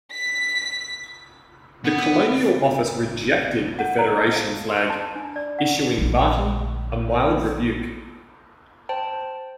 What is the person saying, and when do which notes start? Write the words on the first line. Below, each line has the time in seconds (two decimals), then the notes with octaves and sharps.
The Colonial Office rejected the Federation Flag, issuing Barton a mild rebuke.
0.11 B6
1.85 B3
3.79 F#5
3.99 A#5
4.20 A5
4.36 F5
4.69 C6
4.90 A5
5.16 D4
5.36 D5
5.59 F#5
5.98 A#1 D3
8.89 C5 G5 A5